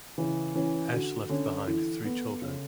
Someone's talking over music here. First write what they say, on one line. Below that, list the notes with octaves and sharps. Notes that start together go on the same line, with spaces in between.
Ash left behind three children.
C#3 E3
E3 C#4
D3 F#4
D3 C#4
E3
B3
C#3